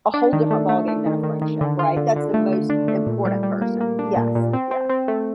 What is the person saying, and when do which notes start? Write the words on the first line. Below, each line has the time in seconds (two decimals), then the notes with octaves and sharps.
a whole different ballgame than a friendship, right? That's the most important person. Yes. Yes.
0.14 D4
0.33 D#3
0.51 A3
0.69 A3
0.88 A3
1.06 D#3
1.23 D#3
1.42 D#3
1.61 D3
1.79 F4
1.97 D3
2.16 D3
2.34 A3
2.52 A3
2.70 D4
2.88 A3
3.07 A#2
3.25 G3
3.43 G3
3.62 A#3
3.80 A#3
3.99 D4
4.16 A#2
4.35 A#2
4.53 C4
4.71 C4
4.90 C4
5.08 A3